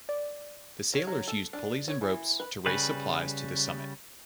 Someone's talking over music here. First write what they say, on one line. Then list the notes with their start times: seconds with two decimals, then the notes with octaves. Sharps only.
The sailors used pulleys and ropes to raise supplies to the summit.
0.09 D5
0.94 C#5
1.07 F#3
1.28 A4
1.53 D4
1.88 C#5
2.01 E3
2.40 B4
2.66 C#3 G3 B4